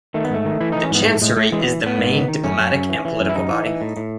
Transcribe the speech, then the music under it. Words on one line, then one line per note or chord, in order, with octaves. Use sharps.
The Chancery is the main diplomatic and political body.
D#3 A3
B3
G#2 A3
D#3
E3 E4
E3 D#4
C#4
G#2 B3
A2 A3
A2 G#3
A2 A3
E3 G#3
B3
E3
A2 B3
G#2
D#3
D#3
F#2 C#4
F#2
F#2
E3
E3
F#2
E4
F#2 D#4
E3
E3
A2
A2